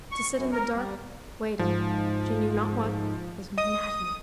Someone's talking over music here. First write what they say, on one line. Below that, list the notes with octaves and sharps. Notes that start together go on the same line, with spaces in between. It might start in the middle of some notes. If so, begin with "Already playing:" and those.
To sit in the dark, waiting, she knew not what, was maddening.
C#6
F#2
A#4
G3
G#2 F3
D#5 D#6 D#7